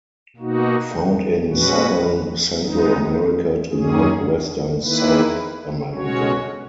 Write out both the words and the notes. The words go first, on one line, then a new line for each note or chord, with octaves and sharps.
Found in Southern Central America to northwestern South America.
B2 A#3 D#4 F#4
A#2 G#3 C#4 F#4 B4
G#3 B3 D#4
F#2 D#3 A#3 C#4 G#4
D#3 A#3 E4 B4
B2 G#3 C#4 F#4 C#5